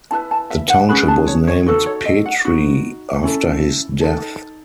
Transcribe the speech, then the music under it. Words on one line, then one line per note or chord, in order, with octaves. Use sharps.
The township was named Petrie after his death.
E4 G#4 B4 A5
A5
E5
F#5
C#4 G#4 B4 B5
A5
C#5
C#5
D#4 F#4 A4 B4
C#5
D#5
F#5
D#4 F#4
C#4 E4 A4
D#4 A4